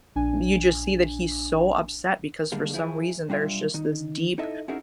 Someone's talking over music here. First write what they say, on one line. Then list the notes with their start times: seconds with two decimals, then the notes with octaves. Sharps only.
you just see that he's so upset because for some reason, there's just this deep
0.16 A#1 D4 G#5
2.52 D3 G3 G#3 A#3
2.74 F3 E4 G#4
3.29 B1 G3 D4 F4 E5
3.74 D#3 D#4
4.38 D#4 E4 A4 D#5 E5
4.68 C#4 D#4 E4 F#4 G#4 A#4